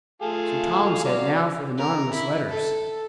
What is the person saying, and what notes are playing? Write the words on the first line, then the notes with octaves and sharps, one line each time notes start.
So Tom said, now for the nonnamous letters.
A3 F4 G#4 A4 F5
F#3 D5 F5
A#4
E4
A4